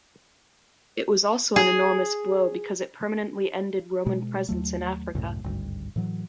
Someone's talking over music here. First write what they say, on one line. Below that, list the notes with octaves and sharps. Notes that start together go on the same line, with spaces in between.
It was also an enormous blow because it permanently ended Roman presence in Africa.
G#4
B2 G#3
D#2 F#3 A3
C2 F#2 A2
G#1 D2 G2
A2 E3 F#3